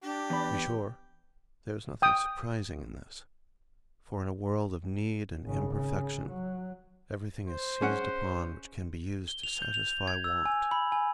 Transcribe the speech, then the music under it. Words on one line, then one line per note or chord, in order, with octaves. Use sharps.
To be sure, there is nothing surprising in this, for in a world of need and imperfection everything is seized upon which can be used to satisfy want.
D4 G4
E2 B5
G5 D#6
G#1 C#3
C#3
F#3
C5
G#3 C#4 F#5
G7
F7
G6
F7
G#6
E6
G#5
B5
G#5